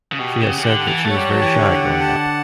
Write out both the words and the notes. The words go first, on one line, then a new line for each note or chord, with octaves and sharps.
She has said that she was very shy growing up.
C#3
B2 G4
C#3
F#5
C#3
D3
A5
E3
A3
C#5
G3
F#3
E3 G4
D3
F#5
A5